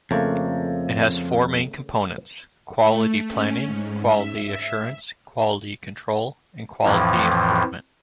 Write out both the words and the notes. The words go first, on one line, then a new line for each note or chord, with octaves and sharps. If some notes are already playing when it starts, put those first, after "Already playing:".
It has four main components: quality planning, quality assurance, quality control and quality improvement.
F2 C#3 A3 A#3
A3
C#4
G#2
E5
F2 A2 E3 F3